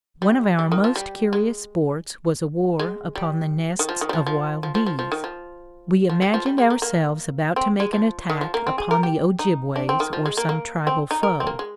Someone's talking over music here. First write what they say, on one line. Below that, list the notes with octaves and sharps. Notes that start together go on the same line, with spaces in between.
One of our most curious sports was a war upon the nests of wild bees. We imagined ourselves about to make an attack upon the Ojibways or some tribal foe.
G3
G3
D#3
F3
G3
G#3
G#3
G3
D#3
F3
D#3
G3
F3
F3
F3
F3
F3
F3
D#3
F3
F3
G3
F3
G3
G#3
A#3
A#3
C4
G#3
F3
D#3
F3
A#3
C4
G#4
A#4
G4
D#4
D4
C4
D#3
F3
G#3
A#3
A#3
C4
D#4
A#4
C4
A#3
G#3